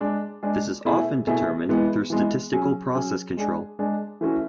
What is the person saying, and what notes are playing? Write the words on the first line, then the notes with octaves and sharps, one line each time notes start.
This is often determined through statistical process control.
G#3 D4 G#4
G#3 D4 G#4
B2 A3 E4 G#4
B2 A3 E4 G#4
E3 G#3 B3
E3 G#3 B3
F#3 C#4 G#4
F#3 C#4 G#4
G#3 D4 G#4
G#3 D4 G#4
E3 A3 C#4 F#4